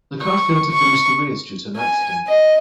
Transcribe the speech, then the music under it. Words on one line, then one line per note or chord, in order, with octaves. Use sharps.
The car failed to finish the race due to an accident.
C#6
C#6
G#5
D#5